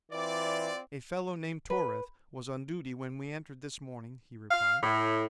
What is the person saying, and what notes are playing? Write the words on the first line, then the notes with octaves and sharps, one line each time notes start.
"A fellow named Torith was on duty when we entered this morning," he replied.
E3 C4 F4 D5
B4
F5
A2